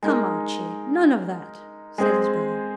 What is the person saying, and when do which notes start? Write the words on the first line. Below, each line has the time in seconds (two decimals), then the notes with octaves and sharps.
"Come, Archie, none of that," said his brother.
0.03 G#3 D#4 A#4
1.98 G#3 C4 G#4 C5